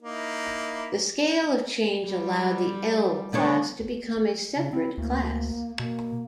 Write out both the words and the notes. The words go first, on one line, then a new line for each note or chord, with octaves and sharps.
The scale of change allowed the L class to become a separate class.
A#3 D#4 E4
G3
B3 D4 C#5
C#3
C4 E4
D2 A#3
B2 A#3